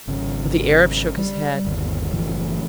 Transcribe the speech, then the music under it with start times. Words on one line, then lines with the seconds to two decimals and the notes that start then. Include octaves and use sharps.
But the Arab shook his head.
0.07 G#1 C#3
1.17 G3
1.65 G1 D#2
2.12 F#1 A2 E3 F3